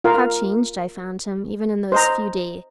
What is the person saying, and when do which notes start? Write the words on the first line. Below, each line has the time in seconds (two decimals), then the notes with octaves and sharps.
How changed I found him, even in those few days!
0.04 F4 A#4 F5
1.92 C5 D#5 A#5